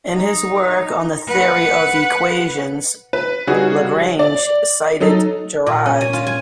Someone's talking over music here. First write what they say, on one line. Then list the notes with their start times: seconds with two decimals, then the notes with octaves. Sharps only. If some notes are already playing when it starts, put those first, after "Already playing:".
In his work on the theory of equations, Lagrange cited Girard.
0.13 D#4
1.27 B4 F#5
3.13 B4
3.47 C#3 G3 D#4 F#4 G#4
4.19 D5
5.00 F#3 D#4 A4
5.67 A#2
5.86 C#4
6.01 G#5
6.13 F4
6.27 G#5